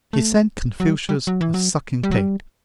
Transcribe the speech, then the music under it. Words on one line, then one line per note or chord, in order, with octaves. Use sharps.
He sent Confucius a sucking pig.
A3
F#3
G3
G3
F#3
E3
F#3
G3
F#3
G3